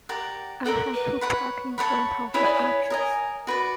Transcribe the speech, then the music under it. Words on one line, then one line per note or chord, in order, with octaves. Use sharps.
I had to park in front of the arches.
G4 A#4 D5 F#5
A4 A#4 D5 F#5
B4
C#5 F#5 B5
A4 C#5 F#5 B5
E4 G#4 B4 C#5
D5
C#5
A#4 D#5 G#5
F#4 B4 D5